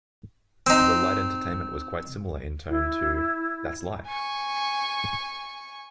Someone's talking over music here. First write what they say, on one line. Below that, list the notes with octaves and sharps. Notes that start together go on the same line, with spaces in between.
The light entertainment was quite similar in tone to That's Life!
C4 D#4
E4
G#5 C#6